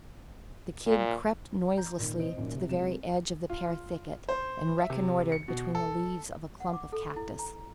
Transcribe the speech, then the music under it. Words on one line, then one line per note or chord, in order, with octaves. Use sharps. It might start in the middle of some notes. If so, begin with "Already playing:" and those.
The Kid crept noiselessly to the very edge of the pear thicket and reconnoitred between the leaves of a clump of cactus.
A#2
A#5 G6
A#2 D#3
F1 C5 D#5 D7
F#2 A#2 D#3 C#4
F1 C3
F1 F#3 G#3 F4 E7
F4
C5
E5
C3
C#7
B2
A4
F#5
D6
A4
E4
A#5